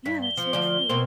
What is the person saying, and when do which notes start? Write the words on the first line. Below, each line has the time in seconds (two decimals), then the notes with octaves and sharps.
Yeah, that's so true.
0.06 G2 B6
0.22 G7
0.37 F3
0.53 D2 F3 D5
0.89 B2 A#3 C4